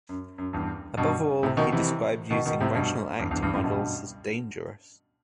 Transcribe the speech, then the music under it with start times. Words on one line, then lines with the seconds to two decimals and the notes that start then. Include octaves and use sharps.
Above all, he described using rational actor models as dangerous.
0.09 F#2
0.38 F#2
0.53 E2 G2
0.97 G2 B2
1.43 A2 C3
1.57 B2 D#3
1.72 C3 E3
2.30 B2 D#3
2.46 B2 D#3
2.60 A2 C3
2.75 G2 B2
3.19 E2 G2
3.31 E2 G2
3.43 E2 G2
3.53 F#2 A2
3.64 G2 B2